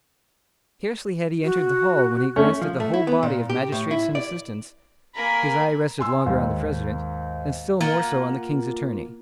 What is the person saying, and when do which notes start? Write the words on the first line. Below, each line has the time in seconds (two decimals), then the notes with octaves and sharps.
Scarcely had he entered the hall when he glanced at the whole body of magistrates and assistants; his eye rested longer on the president, and still more so on the king's attorney.
1.43 F#4
2.36 A3 C#4
2.62 F3
2.80 A3
2.94 E4
3.07 B3
3.23 A#2
3.49 G4
3.72 A2
3.91 E4
4.15 D5
5.15 A#3 A#4 G#5 B5
5.99 G#5 C6 E6
6.26 D#2 G#2
7.81 A#3 F4 F#5